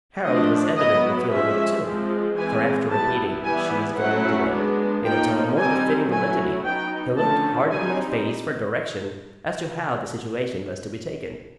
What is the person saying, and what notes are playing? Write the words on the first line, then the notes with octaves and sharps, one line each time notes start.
Harold was evidently feeling it too, for after repeating "She's going to-day!" in a tone more befitting the Litany, he looked hard in my face for direction as to how the situation was to be taken.
F3 A3 D4 D#5
F#3 B3 E4 D#5
F3 G#3 C#4 E5
F3 G#3 C4
E3 G#3 C4 E4 G#5
G3 B3 E4 A5
E3 G3 B3 E4 G#5
F#3 A3 C#4 E4 F#5
G#3 B3 D4
F3 A#3 D#4 G5
G3 C4 D#4 G#5
F#3 A3 C#4 E4 G#5
F#3 B3 D#4 G5
D3 F3 A3 C#4 A5
G3 C4 D#4 G#5